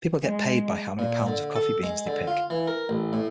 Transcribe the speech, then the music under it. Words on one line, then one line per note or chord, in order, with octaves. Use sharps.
People get paid by how many pounds of coffee beans they pick.
G#3
A#2
D3
A4
G#3
D3
F4
E3
A#4
A1
A2